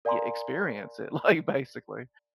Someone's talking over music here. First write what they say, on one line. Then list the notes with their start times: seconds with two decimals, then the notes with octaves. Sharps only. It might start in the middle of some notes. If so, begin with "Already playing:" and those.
yeah, experience it, like, basically
0.05 A#4 D5 F5 G#5 A#5 C6